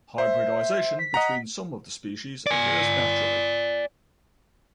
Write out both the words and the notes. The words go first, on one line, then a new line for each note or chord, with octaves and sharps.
Hybridization between some of the species occurs naturally.
C5 E5
B6
D#5 F#5 A#5
D5 G#5